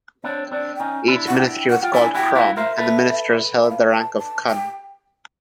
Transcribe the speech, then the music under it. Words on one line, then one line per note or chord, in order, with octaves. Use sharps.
Each ministry was called "Krom" and the ministers held the rank of "Khun".
C4 D4 C#5
C4 D4 D5
G5
C#4 D#4 G#5
D4 E4
F#5
G5
F#5
F4 G5
D4 E4 G#5
E4 F#4 G5
G4
E4 F#4 F5
A#4 C5 E5
A4 B4
E5
F5
E5
A5
A5
G5